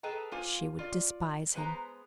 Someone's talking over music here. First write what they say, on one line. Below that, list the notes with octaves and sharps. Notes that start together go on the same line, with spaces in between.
She would despise him.
G#4 A4 B4 D#5 G5 A#5
A#3 F4 C5 G#5
F4 D5
G#3 B3 B4 C5 G#5 A#5